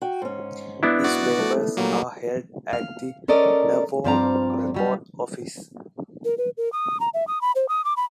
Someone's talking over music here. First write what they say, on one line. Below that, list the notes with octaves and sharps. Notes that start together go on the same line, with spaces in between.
His papers are held at the Norfolk Record Office.
F#4 G5
G#2 C#4
B3 D4 E4
F#4 D5
A3
A#2 F#3 G3 A3 A#3
F5
C#4 A4 A#4 D5 D#5
G2 F3 C4 D5 F5 A#5
F#3 G3 F5
A#4
B4
A#4
D#6
A#5
E5
D#6
B5
C5
D#6
D6
B5